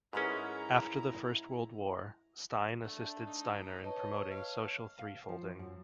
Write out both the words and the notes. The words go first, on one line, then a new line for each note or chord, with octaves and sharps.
After the First World War, Stein assisted Steiner in promoting Social Threefolding.
G#2 C#4 E4 G#4 A#4 B4 A#5
A3 D4
D#4
B4 C#5 D#5 A5
F5
F5
F3
F#2